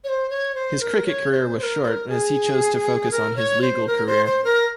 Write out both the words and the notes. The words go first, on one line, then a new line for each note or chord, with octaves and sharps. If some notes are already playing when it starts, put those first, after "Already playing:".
His cricket career was short as he chose to focus on his legal career.
C#5
C5
C#5
C5
A#4
C#5
C#5
C5
C5
A#4
C5
A#4
G#4
A#4
C#5
C5
A#4
C5
C5
A#4